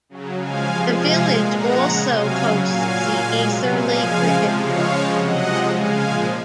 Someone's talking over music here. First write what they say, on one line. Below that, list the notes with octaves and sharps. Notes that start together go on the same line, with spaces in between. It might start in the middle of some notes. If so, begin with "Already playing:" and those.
The village also hosts the Etherley Cricket Club.
C#3 F#3
C#3 F3 G#3 F5 G#5
C3 F3 G#3
C3 F3 G#3 F5 G#5
A#2 G#3
A#2 F3 G#3 F#5 A#5
C#3 G#3
C3 F#3 F5 G#5
C#3 F#3
A#2 F#3 F5 G#5
A#2 F#3
A#2 G#3
C3 F#3
A#2 F3 G#3 F5 G#5
C#3 F3 G#3
C3 F3 G#3
C#3 F3 G#3 C#5 F5
C#3 F3 G#3
C3 F#3 D#5 F#5
C3 F3 G#3
C#3 G#3 F5 G#5
A#2 F3 G#3